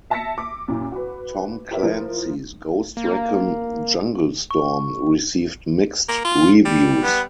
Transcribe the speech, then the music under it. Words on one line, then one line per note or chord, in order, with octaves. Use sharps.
"Tom Clancy's Ghost Recon: Jungle Storm" received mixed reviews.
E5 A5 E6 A#6 B6 C#7
D6
F#2 A#2 E4
F#4 B4
G4 A#4 B4 C#5 E5
F3 E4 A#4
A#3
C#6
A#3
F4
G3
B3